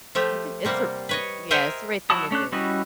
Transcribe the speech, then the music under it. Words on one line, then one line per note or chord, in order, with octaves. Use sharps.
I think it's a r m Yeah, it's the right thing to do.
F3 A3 G4
C3 G3 A#3 F#5
B4 C#5 D#5
A#4 C5 D#5 E5 G5 G#5
F#3 E4 F#4 A5 D#6
A3 C#4 D4 F#6
G3 C#4 E4 F#4 D#5